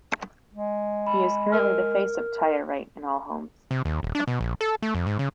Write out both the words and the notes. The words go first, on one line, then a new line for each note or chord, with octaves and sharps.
He is currently the face of Tyreright and Allhomes.
G#3
B5
A#4 F6
C3
D#2
D#1
D4
B2
A#1
A4
A3
F2
G#2
C#3